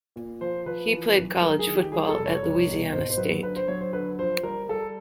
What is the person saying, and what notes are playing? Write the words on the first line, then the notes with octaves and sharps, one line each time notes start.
He played college football at Louisiana State.
A#2
F3 C5
F3 B4
E3
F#2
G#3 A#4
G#4
D#3
G4
G3 G#4
A4
F1
C#5
C2
B2
G#1 C5
C5
F#3 B4
D3 B4
C5
F#3 C#5
C5
D3 B4
F3 C5
G3 A#4
G3 A4